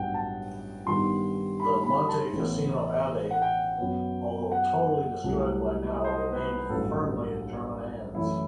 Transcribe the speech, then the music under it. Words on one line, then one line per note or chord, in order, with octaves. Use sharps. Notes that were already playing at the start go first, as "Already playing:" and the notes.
The Monte Cassino Abbey, although totally destroyed by now, remained firmly in German hands.
Already playing: A1 G2 F#3 B3 F#5 G5
A5
G2 D#3 G3 B3 C6
B5
B5
A5
A1 A2 E3 B3
F#5
G5
F#2 F#3 B3
F#5
C2 C3 F#3 A3
D#5
C5
D#5
B4
A1 G2 F#3 A4
F#2 E3 A3 E4